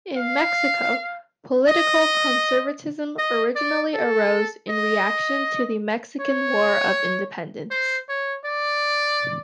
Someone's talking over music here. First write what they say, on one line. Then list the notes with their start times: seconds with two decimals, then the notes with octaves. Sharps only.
In Mexico, political conservatism originally arose in reaction to the Mexican War of Independence.
0.17 F5
1.69 D#5
3.18 D#5
3.56 D5
3.94 A4
4.69 D#5
6.20 C#5
7.71 C5
8.09 C#5
8.45 D5